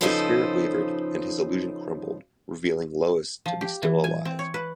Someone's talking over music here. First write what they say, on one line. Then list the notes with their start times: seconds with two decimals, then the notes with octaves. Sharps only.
His spirit wavered, and his illusion crumbled, revealing Lois to be still alive.
0.01 C#3 F3 D#4 A4 B4 C5
3.46 F3
3.61 G4
3.83 E3
4.04 G#5
4.25 C4
4.39 C#5
4.54 B4